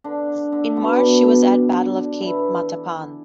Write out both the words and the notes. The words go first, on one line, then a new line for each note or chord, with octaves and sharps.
In March she was at Battle of Cape Matapan.
D3 D4
D3 D4
B2 B3
B2 B3
D3 D4
E3 E4